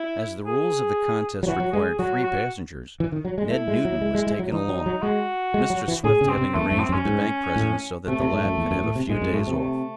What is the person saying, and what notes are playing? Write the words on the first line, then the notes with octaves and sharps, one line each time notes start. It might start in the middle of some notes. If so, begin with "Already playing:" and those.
As the rules of the contest required three passengers, Ned Newton was taken along, Mr. Swift having arranged with the bank president so that the lad could have a few days off.
Already playing: E4
G#4
F#3
E3 F#4
F#3
G#3 G#4
F#3 F#4
F#4
E3
D#3
F#3
G#3
A3 E4
G#3
F#3
G#3
G#3
G#3
F#3
E3 D#4
F#3
D#4
F#3
G#3 F#4
G#3
F#3
E3
A2 G#4
C#3
C4
C3
E2 A3
F#2 A3
C4
F#2
C#4
G#2
A2
C3 A3
C3
G#2
F#2
E2
F#2
A2
C3
A2 G#3
G#2
F#2
G#2 A3
C3
A3